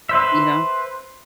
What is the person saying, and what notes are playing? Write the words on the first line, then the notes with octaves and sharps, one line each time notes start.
You know?
B4 C5 E5